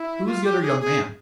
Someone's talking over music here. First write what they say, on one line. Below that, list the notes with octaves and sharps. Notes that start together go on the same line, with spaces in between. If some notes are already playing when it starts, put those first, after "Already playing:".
"Who is the other young man?"
Already playing: E4
F4
G4
G#4
G#4